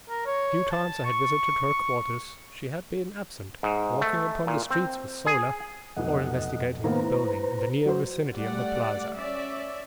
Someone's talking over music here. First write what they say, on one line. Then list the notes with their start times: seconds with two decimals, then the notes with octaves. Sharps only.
The few times I had visited her quarters she had been absent, walking upon the streets with Sola, or investigating the buildings in the near vicinity of the plaza.
0.09 A#4
0.26 C#5
0.71 A5
1.05 C#6
3.63 G#2
4.02 A3
4.47 A#2
4.71 C4
5.26 G#4
5.96 F1 B1 D#5 F#5
6.84 D#3 A#3 B3 B4 C5 A#5
7.02 A2
7.86 F#3 F#4 C5
8.35 G3 A3 D5 F#5
9.17 C#4 D5 E5